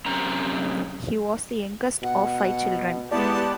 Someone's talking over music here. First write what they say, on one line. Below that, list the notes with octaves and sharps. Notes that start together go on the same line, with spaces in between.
He was the youngest of five children.
F#2 C3 C#4 C5 A#5
B2 F#5
G#3 B3 E4 G4 D5 A5